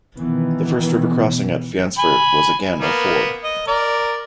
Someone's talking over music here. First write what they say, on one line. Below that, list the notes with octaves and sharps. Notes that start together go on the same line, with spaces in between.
The first river crossing at Fyansford was again a ford.
B2 D#3 E3 B3
G#5 B5
A#3 B3
D#5
A#4 D5